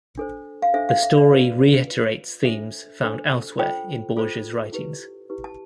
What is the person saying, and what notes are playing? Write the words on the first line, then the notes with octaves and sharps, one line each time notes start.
The story reiterates themes found elsewhere in Borges's writings.
D4 A4 C5
F5
D4 A4 C5 E5
F5
E5
D5
F4 B4
F4 B4
D4 A4 C5 E5
D4 A4 C5
F4 A4 C5 G5
F4 A4 C5
E4 G4 B4
E4 G4 B4
A5